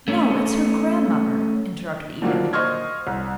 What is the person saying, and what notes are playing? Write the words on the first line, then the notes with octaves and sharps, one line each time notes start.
"No, it's her grandmother," interrupted Edith.
A3 C#4
A#2 D3 D#3 F3 F#3 A#3
C5 D#5 C6 C#6 F6 G#6
C2